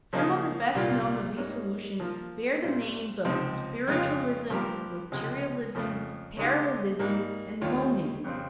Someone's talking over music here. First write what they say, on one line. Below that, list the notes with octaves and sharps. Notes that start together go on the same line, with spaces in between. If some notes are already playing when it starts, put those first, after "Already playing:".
Some of the best known of these solutions bear the names of spiritualism, materialism, parallelism, and monism.
C#3 F3 A#3 D#4 G#4
C2 A#2 G3 A#3 F4
G#2 G3 A#3 C#4
F3 A#3 F4
A#2 G3 C4
C#2 C3 F3 C4 D#4
F2 C#3 G#3 C#4 F4
G2 F3 C4 G4 A#4
C#2 C3 F3 G#3
F2 C#3 F3
C#3 G#3 D#4 G4
G#2 G3 A#3
D#2 D#3 G3 C#4 F4
F2 C#3 G3 C4